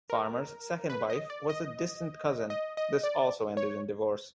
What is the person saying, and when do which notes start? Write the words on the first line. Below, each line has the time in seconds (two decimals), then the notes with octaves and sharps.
Farmer's second wife was a distant cousin; this also ended in divorce.
0.10 A#4
0.90 B4
1.10 D#5
1.30 D5
1.50 D#5
2.50 D#5
2.77 D#5
3.04 D5
3.57 C#5